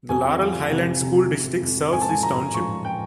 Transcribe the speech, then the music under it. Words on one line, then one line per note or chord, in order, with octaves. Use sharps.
The Laurel Highlands School District serves this township.
F2 G#5
F3
C3
C3
C3
F2
F2 G#5
A5
G#5
F3 A#5
F3 C#6
G5